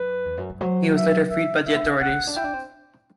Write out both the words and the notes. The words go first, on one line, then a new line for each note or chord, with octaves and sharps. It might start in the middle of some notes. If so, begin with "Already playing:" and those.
He was later freed by the authorities.
Already playing: F#2 B4
E2
F#2
G2
F#3 C5
E5
F#3 E5
G3 E5
B3
C4
C4 F#5
B3
C4
D4
E4 G5
D4
C4